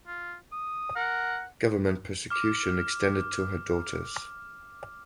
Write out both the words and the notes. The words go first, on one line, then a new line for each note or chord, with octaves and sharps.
Government persecution extended to her daughters.
F4
D#6
A#4 F#5
D6 F6